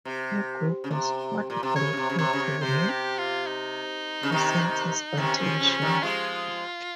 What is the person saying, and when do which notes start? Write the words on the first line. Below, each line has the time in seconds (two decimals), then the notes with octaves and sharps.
Her group was what brought her to Right to Censor's attention.
0.05 C3
0.84 C#3
0.91 C3
1.50 A#2
1.63 C3
1.76 C#3 C#5
1.93 C#3
1.97 C3
2.10 C#3
2.19 C3 C#5
2.33 C#3
2.40 C3
2.61 C3 C5
2.90 G4
3.18 F4
3.47 D#4
4.23 C#3
4.32 C3 D#3
5.18 C3 D#3 C#4
5.39 C#3 F3
5.60 C#3 F3
5.82 D#3 G3
6.03 F3 G#3 F4